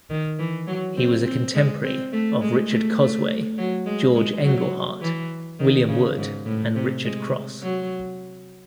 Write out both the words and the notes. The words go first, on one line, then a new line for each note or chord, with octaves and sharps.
He was a contemporary of Richard Cosway, George Engleheart, William Wood and Richard Crosse.
D#3
E3
F#3
C4
C4
G#3
C4
A3
G#3
A3
A3
F#3
G#3
G#3
F#3
E3
D#3
C#3
G#2
A2
C3
G#3
F#3